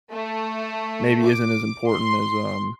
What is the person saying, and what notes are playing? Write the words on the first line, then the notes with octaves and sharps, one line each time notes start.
maybe isn't as important as, um
A3
D6
C6